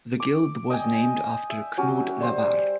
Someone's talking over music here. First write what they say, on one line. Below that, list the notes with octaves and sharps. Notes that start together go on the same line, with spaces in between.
The guild was named after Knud Lavard.
D6
D#5 G5 G#5
E5
F#3 C#4 G4
G3 C5